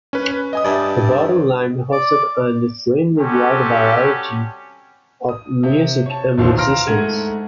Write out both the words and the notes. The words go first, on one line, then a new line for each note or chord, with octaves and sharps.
The Bottom Line hosted an extremely wide variety of music and musicians.
C#4 B4
D#5 G#5 D#6
G2 D5 E5
D5
G3 C4 C#4 F#4 G4 A4
D#6
C3
C#5 A5
A#1 D#2 B2 E3 C5 C#5
F5 A#5 C6 F6 A#6 D7
G#2 A3 F#5 G#6 D#7